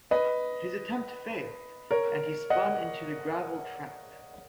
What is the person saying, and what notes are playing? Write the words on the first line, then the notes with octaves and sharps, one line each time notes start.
His attempt failed, and he spun into the gravel trap.
B4 D#5
A#4 C#5
D#5 F#5